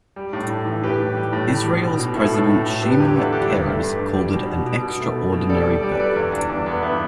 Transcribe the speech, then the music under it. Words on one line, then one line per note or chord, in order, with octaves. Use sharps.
Israel's president Shimon Peres called it "an extraordinary book".
G3
A2
A2
E3
A2 G4 B4
A2
G3
A2
G3
B2
B2
B2
A2 E4 A4
A2
A2
A2
G3 G4 B4
E2 G4 B4
D3 E4 A4
G3 D4 G4
G2 D4
A3
G2
G2
G3
B2
B2
B2
B2
A3
B2
B2
G3 A4 D5
G3
G3 D5
B4
G3 A4 D5
E2
E2 D4
E2 D4
E2 B3
G2 B3 E4